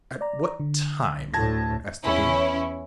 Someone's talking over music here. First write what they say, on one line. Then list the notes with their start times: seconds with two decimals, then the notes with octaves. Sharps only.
"At what time?" asked the king.
0.21 D5 A#5
0.60 D3
1.34 D2 A2 A5 G#6 A#6
2.04 E2 C#4 E4